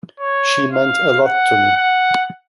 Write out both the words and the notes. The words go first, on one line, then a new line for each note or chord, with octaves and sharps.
She meant a lot to me.
C#5
F5
F#5
F#5